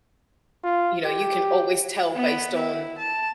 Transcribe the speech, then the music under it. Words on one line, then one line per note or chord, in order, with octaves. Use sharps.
you know, you can always tell based on,
F4
G4
B3
E4
A5